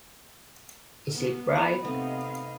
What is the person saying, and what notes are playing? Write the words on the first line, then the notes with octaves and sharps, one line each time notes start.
Is it bright?
B3
B5
C3 A3 B3 D#4 D#5 F5